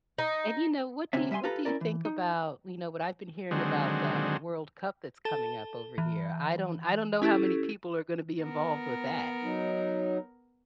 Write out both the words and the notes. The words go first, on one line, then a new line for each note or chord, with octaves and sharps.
And you know, what do what do you think about, you know, what I've been hearing about the World Cup that's coming up over here, I don't I don't know how many people are gonna be involved with that
D#4
D2 C3 C4 C#4 E5
G3 E5 F#5 G#5 C6
F4 G4 A4 B4 A#5
C#4 E4 A#4 D5
E3
D#4
D3 D#3 F#3 G#3 C4
A4 A5 G7
E3
C#4 E4 G4 A4
B3 A#4
F#3 D#4